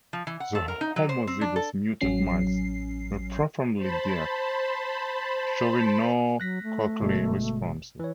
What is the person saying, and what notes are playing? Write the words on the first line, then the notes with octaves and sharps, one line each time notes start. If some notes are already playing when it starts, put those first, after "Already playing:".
The homozygous mutant mice were profoundly deaf, showing no cochlear responses.
F3
E3
F#5
A4
A#4
D#4
F#3
C5
C4
D4
A4
A1 F#3 C#4 C7
C5 A5 B5
F#3 F#6 A#6 B6
A3
G1 B2 G#3
E3 C#5